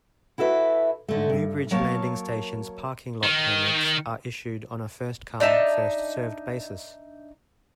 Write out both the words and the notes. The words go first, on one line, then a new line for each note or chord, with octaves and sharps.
New Bridge Landing station's parking lot permits are issued on a first-come, first-served basis.
E4 F#4 A4 B4 E5
G#2 D3 A3
G2
F#3 A#3 A#4 C#5 F5 A5
D#3
D4 D#4 E5 A5